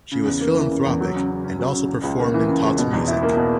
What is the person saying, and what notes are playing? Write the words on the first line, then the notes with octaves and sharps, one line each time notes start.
She was philanthropic and also performed and taught music.
C#3
E2
A#3
E3
C#3
E2
F#3
C#3
C#3
C#4
F#3
C#3
C#3
C#2
A#3
E3
C#3
C#2
B2
E2
E4
A#3
B2